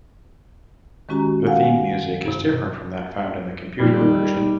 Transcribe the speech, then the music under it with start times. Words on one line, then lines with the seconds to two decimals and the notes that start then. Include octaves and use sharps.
The theme music is different from that found in the computer version.
1.09 D#3 G#3 C#4 F#4 G4 A#5
1.47 F5 F#5 G#5
2.26 G2 C3
3.79 A#2 D#3 F3 G3
3.99 D#3 D#4